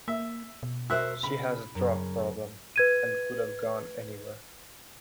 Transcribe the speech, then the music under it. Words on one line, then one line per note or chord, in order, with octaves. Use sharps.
She has a drug problem, and could have gone anywhere.
A#3 E5
B2
F#4 A#4 C5 E5 F#6
C#3 B5
F#2 C#3
B4 G#6 D#7